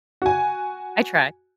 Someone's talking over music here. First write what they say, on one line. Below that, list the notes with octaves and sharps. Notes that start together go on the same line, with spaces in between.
I try.
F#4 G#5